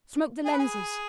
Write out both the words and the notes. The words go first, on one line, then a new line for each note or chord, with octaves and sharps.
Smoke the lenses.
G#4
B4
G#4